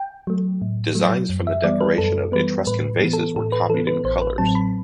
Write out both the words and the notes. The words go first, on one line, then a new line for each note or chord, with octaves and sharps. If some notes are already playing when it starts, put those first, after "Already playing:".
Designs from the decoration of Etruscan vases were copied in colors.
Already playing: G5
F#3 A3
A2
F#3 A3
F#2
E5
E3 G3 B3 D5
B4
F#2 A4
E3 G3 B3 B4
A2 B4
E3 B3
A4
A2 A4
B4
E3 B3 A4
B4
A1 C5
B4
A2 F#3 C4 A5
B5